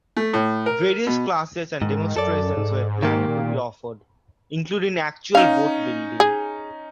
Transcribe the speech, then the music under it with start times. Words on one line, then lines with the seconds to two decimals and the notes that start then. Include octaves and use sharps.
Various classes and demonstrations were planned to be offered, including actual boat building.
0.17 A3
0.33 A2
0.66 A#4
1.07 B2
1.82 G#2 D#3
2.16 F#2 A4 D5
2.57 G#2
3.03 D#3 A#3 G4
3.28 A#2
5.35 C#4 D#4 F5
6.20 G#4